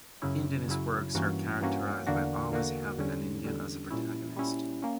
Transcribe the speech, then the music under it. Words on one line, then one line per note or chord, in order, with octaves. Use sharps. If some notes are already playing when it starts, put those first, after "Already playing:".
Indianist works are characterized by always having an Indian as the protagonist.
F#2 C#3 F#3 C#4 E4
F#2 C#3 F#3 C#4 E4
G2 E3 A#3 C#4 F#4
G2 E3 A#3 C#4 F#4
E2 D3 A#3 D4 F#4
E2 D3 A#3 D4 F#4
E2 D3 G3 C#4
E2 D3 G3 C#4
A#2 G3 C#4 E4
A#2 G3 C#4 E4
A#3 C#4